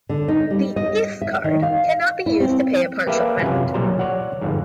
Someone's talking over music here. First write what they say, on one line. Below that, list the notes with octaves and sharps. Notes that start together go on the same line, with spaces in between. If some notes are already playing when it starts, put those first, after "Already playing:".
The Iff card cannot be used to pay a partial amount.
D3
D#4
G3
D#5
E5
D#3
F5
E4
C4
A#3 G4 A4 B4 E5 F5
F#2 C3 C#4 F4 B4 G#5
B1 A#2 F#3 G3 C5 A#5
C#5 D5 F#5
G1 F2 G#2